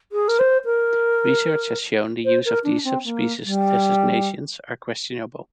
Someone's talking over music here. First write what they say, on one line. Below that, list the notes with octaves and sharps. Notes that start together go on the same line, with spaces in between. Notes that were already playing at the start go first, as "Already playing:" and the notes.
Research has shown the use of these subspecies designations are questionable.
G#4
A#4
C5
A#4
C5
A#4
D4
C4
A#3
G3